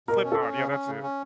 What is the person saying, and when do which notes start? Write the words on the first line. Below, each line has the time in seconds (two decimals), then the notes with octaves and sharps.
Slipknot, yeah, that's it.
0.08 B2 A#4
0.24 C#4
0.32 A4
0.40 C#4
0.56 C#3
0.71 C#4
0.87 C#3
1.03 C#4